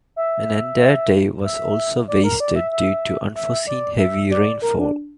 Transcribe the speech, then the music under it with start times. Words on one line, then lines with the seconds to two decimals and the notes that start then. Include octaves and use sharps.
An entire day was also wasted due to unforeseen heavy rainfall.
0.16 E5
1.44 E5
2.08 D5
2.24 A#4
2.40 D5
2.56 E5
2.72 E5
3.35 E5
3.67 D5
3.99 E5
4.31 D5
4.62 A#4
4.79 D4